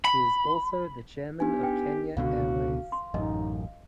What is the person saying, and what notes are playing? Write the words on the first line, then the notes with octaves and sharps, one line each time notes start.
He is also the Chairman of Kenya Airways.
B5
B3 D4 D#4 G4 G#5
B4 G5
C#2 B2 D3 F#4 F5
C6
A1 F#2 D#4 D#5